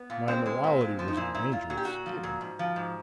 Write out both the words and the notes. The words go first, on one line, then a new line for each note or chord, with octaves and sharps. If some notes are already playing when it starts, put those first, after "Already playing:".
My morality was in danger of skidding.
Already playing: B3
A#2
G#3 C4
G#3
A#2
G#3
F3
D#4
A#2 E4
A#2 E4
A#2 F4
A#2 F#4
G4
A#2 F#4
F3
A#2
G#2
F3
G#2